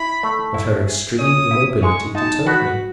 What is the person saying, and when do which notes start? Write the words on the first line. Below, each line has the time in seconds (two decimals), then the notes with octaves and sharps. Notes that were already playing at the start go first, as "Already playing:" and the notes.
But her extreme immobility deterred me.
Already playing: E4 B5
0.23 A3
0.54 E4
0.87 G#4
1.19 C#4 D#6
1.51 E4
1.82 G#3 C#6
2.15 D#4 A5
2.46 F#4 B5